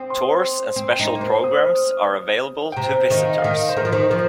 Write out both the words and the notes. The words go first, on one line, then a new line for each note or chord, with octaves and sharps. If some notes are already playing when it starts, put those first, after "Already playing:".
Tours and special programs are available to visitors.
Already playing: C4 D#6
C6
C4
D#4
A#3
C4
D#6
F6
D#6
G5
C3 A#5
D#3 D#5
F5
D#5
F5
D#3 D#5
D#5
C5
D#3 A#4
F3
D#3
F3 A#4